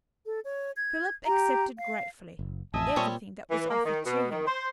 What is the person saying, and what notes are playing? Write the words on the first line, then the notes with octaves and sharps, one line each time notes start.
Philip accepted gratefully everything that was offered to him.
A4
C#5
G#6
G4 A#5
F5
F#1
A1 F2 D#5 E5 G#5 A5
A#2 G3 C4 C#5
E3
A#3
D#3
B2
D#3
C5